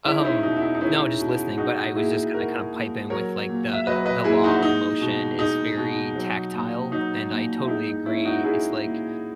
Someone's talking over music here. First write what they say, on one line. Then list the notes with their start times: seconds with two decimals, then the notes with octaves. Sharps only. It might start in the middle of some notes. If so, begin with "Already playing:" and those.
Um, no, just listening, but I was just gonna kinda pipe in with, like, the the law of motion is very tactile, and I totally agree. It's like
0.05 G#3 C#4 E4
0.19 D#4
0.24 C#4 E4
0.43 B2 D#4
0.57 E4
0.62 D#4
0.75 D#4
0.81 G#3 C#4 E4
1.19 B2
1.57 G#3 D#4 F#4
1.96 A#2 E4 G#4
2.34 G#3 F#4 A#4
2.73 A#2
3.10 F#3 A#4 C#5
3.49 A#2
3.73 E5
3.87 F#3 B4 D#5
4.06 B4 D#5
4.24 A#2 E4 G#4
4.43 D#4 F#4
4.63 G#3 D#4
5.01 B2
5.39 G#3 D#4
5.77 B2
6.15 F#3
6.54 A#2
6.91 F#3 D#4
7.29 A#2
7.64 E4
7.68 G#3 D#4
7.87 D#4
8.06 A#2 C#4 E4
8.25 D#4 F#4
8.44 G#3 E4 G#4
8.82 A#2